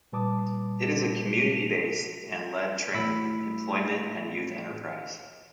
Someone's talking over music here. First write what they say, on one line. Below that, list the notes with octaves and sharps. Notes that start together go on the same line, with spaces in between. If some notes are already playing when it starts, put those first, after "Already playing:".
It is a community-based and led training, employment and youth enterprise.
A#2 G3 B4 A5 D6 D#6
A2 B5 E6